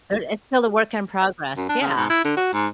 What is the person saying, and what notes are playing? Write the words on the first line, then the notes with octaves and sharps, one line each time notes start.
But it's still a work in progress, yeah,
F#2
D4
C#3
G#2
E4
D3
F#4
G#2